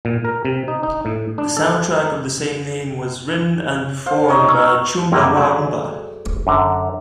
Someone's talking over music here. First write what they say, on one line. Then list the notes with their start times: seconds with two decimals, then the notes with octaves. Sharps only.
The soundtrack of the same name was written and performed by Chumbawamba.
0.05 A#2
0.25 A#4
0.45 C3
0.68 D#4
0.83 D#4
1.05 A2
1.38 D4
1.57 A4
4.06 C5 F5
4.28 C#4 D#4 C#5
4.49 C#6 E6 F6
5.12 F#2 C3 G3 A#3 D#4 E4
5.36 F#3 G#3 A3 C5 D5 E5
6.47 F#2 D3 A#5